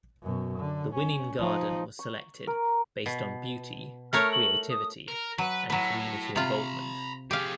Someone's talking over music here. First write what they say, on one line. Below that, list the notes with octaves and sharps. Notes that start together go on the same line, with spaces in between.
The winning garden was selected based on beauty, creativity and community involvement.
F#2 B2
D3
C#4
F3 D#4
C#6
A#4
B2
A3 A#4 C#5 F6
F#7
D#6
A#4
F#3 B4
A2 F#3 B4
C3 F4 A#5 B5
F3 G4 G#4 F5